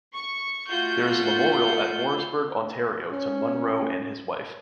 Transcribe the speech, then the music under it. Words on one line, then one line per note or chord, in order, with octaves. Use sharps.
There is a memorial at Morrisburg, Ontario to Munro and his wife.
C#6
A3 F4 F#4 G6
C#4